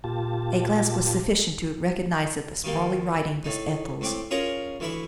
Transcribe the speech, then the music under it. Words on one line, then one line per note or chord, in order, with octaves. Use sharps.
A glance was sufficient to recognise that the sprawly writing was Ethel's.
A#2 F4 G4 A5
D#3 G3 A#3
A2 D#4
A2 C4 D6
C#4 F4 G#4 A#4 C#5 A#5
D2 E3 E5 B5 C#6